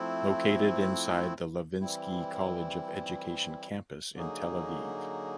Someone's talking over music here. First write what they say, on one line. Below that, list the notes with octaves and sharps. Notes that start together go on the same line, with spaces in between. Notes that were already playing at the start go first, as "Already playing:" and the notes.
Located inside the Levinsky College of Education campus in Tel Aviv.
Already playing: F3 A3 C4 E4
E3 G3 C4 E4
D3 F#3 A#3 D#4 G#4